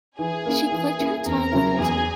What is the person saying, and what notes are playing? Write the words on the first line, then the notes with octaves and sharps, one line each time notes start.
She clicked her tongue with her teeth.
E3 G#4 G#5
A#3 C#4 E4
E3
A#3 C#4 E4
E2 A#4 A#5
C#3 F#3 C#4 E4
E2 G#4 G#5